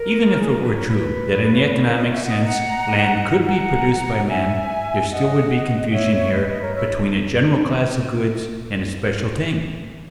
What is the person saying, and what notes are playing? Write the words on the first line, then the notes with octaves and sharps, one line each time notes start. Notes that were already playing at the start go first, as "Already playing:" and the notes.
Even if it were true that in the economic sense land could be produced by man, there still would be confusion here between a general class of goods and a special thing.
Already playing: A#4
G#4
A#4
B4
A#4 C#5
B4
A#4 C#5
B4 D#5
C#5 E5
D#5 F#5
F#5 A#5
F#5 A#5
E5 G#5
D#5 F#5
C#5 E5
C#5 E5
B4 D#5
B4 D#5
A#4 C#5
C#5 E5